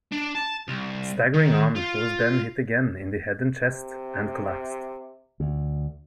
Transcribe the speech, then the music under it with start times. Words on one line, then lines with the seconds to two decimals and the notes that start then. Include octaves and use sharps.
Staggering on he was then hit again in the head and chest and collapsed.
0.12 D4
0.35 A5
0.68 C2
1.34 D#3
1.76 F4
3.60 C3
5.40 D2